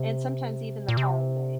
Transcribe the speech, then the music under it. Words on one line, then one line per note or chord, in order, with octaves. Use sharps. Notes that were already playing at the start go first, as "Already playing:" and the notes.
and sometimes even the following day.
Already playing: C3
A#2
C3